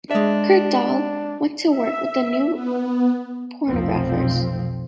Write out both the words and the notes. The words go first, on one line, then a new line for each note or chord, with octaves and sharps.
Kurt Dahle went on to work with The New Pornographers.
G#3 D4 E5
E5
B3
F1 B1 F3 C4